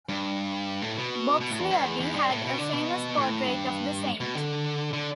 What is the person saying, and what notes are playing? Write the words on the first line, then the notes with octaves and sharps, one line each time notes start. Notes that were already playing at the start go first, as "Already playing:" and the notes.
Boxley Abbey had a famous portrait of the saint.
G2
A2
B2
B2
A2
E2
G2
E2
E2
G2
A2
B2
D3
B2
A2
G2
B2
D3
D3